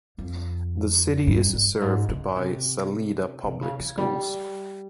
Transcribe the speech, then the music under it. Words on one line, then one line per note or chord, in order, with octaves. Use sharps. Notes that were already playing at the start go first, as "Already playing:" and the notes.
The city is served by Salida Public Schools.
F2
G2
G2
G#2
C#3
C3
C3
C#3
E3
G3